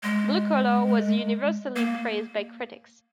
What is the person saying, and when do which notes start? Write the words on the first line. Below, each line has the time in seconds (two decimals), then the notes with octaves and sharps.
"Blue Collar" was universally praised by critics.
0.03 G#3
1.76 A#3